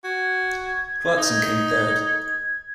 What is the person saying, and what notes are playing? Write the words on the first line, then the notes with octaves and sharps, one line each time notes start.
Clarkson came third.
F#4 G#6
D#4